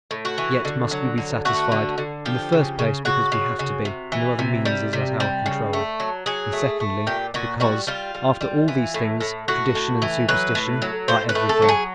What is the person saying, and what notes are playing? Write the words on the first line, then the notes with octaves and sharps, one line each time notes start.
Yet must we be satisfied; in the first place because we have to be--no other means is at our control--and secondly, because, after all, these things--tradition and superstition--are everything.
A2
F#4
E3
D3
F#3
D3
A3 F#4
D3
D3
F3 G4
C#3
C#3
C#3 F#4
C#3
C#3
C3
E3
C3
G3
C3
G3
C#3
A3
F#3
F#3 G#4
A3
A3
A#2 G4
A#2 F#4
G3 F#4
G3 F4
G3
G3
E3
A2
A2
A2 F#4
A2
E3
F#3 B4
A2
F#3
A2 C5
B4
A3
A4
F#3
G#4